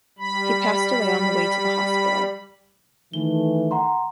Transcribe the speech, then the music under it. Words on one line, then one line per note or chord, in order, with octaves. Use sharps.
He passed away on the way to the hospital.
G3 B5
D#3 E3 A3 G7
F#5 A#5 C6